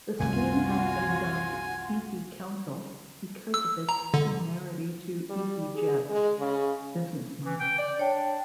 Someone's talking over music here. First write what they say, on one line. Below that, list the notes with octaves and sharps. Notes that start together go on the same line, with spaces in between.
The scheme has been dubbed easyCouncil because of its similarity to EasyJet's business model.
C2 F#2 A#2 D#3 A3 F4 F#4 G#5
E6
A#5
D3
G3
G#4
G#3
C#3
E3
G5
D5
D4 C#5 G5